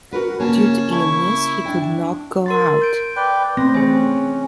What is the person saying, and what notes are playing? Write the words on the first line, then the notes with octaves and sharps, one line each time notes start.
Due to illness, he could not go out.
F#4 A#4 B4 F#5
C#3 A#3 C#4 A5
E4 C#6
D4 G5
A#4 C6 A6
G6 D7
B4 D5 G5 G6
A3 C4 B4 C5 A#6
E3 C#4 G#4 C5